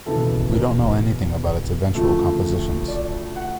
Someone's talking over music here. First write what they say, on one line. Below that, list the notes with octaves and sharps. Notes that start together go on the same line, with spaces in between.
We don’t know anything about its eventual compositions.
E1 D#2 C#3 E3 A4
A#4
D2 C#3 F3 A3
D5
F#5